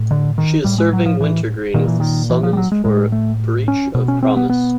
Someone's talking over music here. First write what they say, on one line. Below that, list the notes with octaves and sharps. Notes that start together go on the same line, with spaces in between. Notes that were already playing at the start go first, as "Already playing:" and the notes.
She is serving Wintergreen with a summons for breach of promise.
Already playing: A2
D3
D#3
A2 G3
G#3
F#3
F3
E3
A#2 D#3
E3
D#3
E3
F3
G3
F#3
G#3
A2 G#3
A3
C#4
B2
C#4
C4
B3
B3